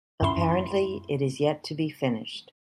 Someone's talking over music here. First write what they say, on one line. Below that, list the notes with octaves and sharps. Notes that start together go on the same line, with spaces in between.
Apparently it is yet to be finished.
F#2 E4 C6